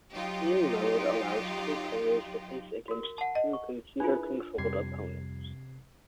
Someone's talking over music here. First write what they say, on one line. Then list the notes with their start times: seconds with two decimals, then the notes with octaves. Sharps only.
Team mode allows two players to face against two computer-controlled opponents.
0.13 F#3 D#4 F4 G4
2.88 F#4 A#4
3.03 F#4
3.18 F#5 A5
3.35 D#5
3.53 C#6
4.00 D4 E4 F4 G#4 B4
4.58 F2 C3 G3 G#6 C7